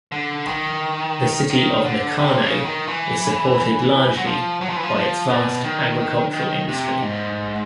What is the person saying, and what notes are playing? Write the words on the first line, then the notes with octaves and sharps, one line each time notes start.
The city of Nakano is supported largely by its vast agricultural industry.
D3
D#3
D#3
D3
C3
C#3
D#3
E3
F#3
F3
F#3
F3
E3
F3
F3
B2
D#3
D#3
C3
G#2